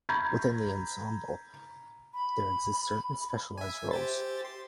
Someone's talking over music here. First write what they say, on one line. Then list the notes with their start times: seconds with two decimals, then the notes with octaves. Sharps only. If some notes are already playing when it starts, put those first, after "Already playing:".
Within the ensemble there exist certain specialized roles.
0.09 A#5 B5 G6 G#6
2.14 B5
3.58 E5 G#5
3.91 G4 C5 A6
4.45 C6